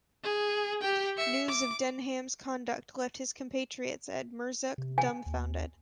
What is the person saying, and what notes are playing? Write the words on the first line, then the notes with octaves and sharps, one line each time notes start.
News of Denham's conduct left his compatriots at Murzuk dumbfounded.
G#4
G4 G5
E5 C#7
D6
C3
G#5
D#2